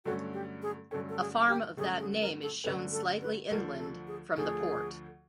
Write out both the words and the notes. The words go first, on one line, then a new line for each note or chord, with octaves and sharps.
A farm of that name is shown slightly inland from the port.
G2 D3 F#3 A3 C#4 F#4
G4
G#4
G2 D3 F#3 A3 C#4 A4
A4
G#4
G4
G2 D3 F#3 A3 C#4 G#4
G#4
A#4
A4
G2 D3 F#3 A3 C#4 B4
A4
B4
D2 D3 F3 A3 A#4
A4
G#4
D2 D3 F3 A3 G#4